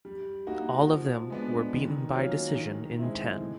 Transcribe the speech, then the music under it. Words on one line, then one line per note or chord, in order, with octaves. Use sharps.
All of them were beaten by decision in ten.
G3
A#3 D#4 F#4
F3
G#3 B3 D4
D#3
F#3 A#3 C#4 F4
D#3
G#3 C4 E4
A2